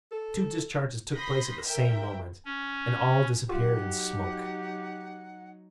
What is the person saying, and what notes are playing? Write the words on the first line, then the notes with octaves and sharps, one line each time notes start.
The two discharges took place at the same moment, and all disappeared in smoke.
A4
B5 C6 D#6 G6 A#6 B6
A#4 E5 G5
C#4
F#3 D#4 F4 G4 F#5